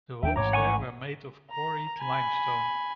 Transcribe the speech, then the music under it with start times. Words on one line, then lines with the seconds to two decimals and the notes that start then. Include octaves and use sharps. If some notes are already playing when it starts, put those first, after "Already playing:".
The walls there were made of quarried limestone.
0.23 D#2 G#3 D4 E5 G5
0.36 A1 G#2 C#5 A#5 D6
0.53 F#5 G#5 C#6
1.51 A#5
2.00 G#5 B5